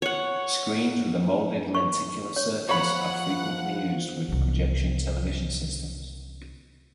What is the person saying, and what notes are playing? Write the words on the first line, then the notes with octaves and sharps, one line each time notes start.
Screens with a molded lenticular surface are frequently used with projection television systems.
C#5 F#5
C#6
C#5
F3 C#5 F#5 B5
C2 E3